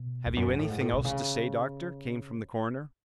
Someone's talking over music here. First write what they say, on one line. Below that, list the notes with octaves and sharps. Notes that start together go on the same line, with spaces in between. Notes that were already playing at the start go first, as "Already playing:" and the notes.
"Have you anything else to say, doctor?" came from the coroner.
Already playing: B2
E2
F#2
G#2
A2
G#2
A2
B2
C#3